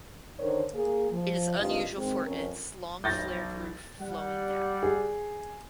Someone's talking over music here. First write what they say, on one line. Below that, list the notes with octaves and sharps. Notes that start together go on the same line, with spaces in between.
It is unusual for its "long flared roof flowing down".
D3 D#3 A#4 C5 C#5
A#3 G#4
F3
G2 C3 D#3 F4 D#5
D#3 G#3 C4
F2 C#4 A#4
B1 G6 A6 A#6
G3 F#5
G#4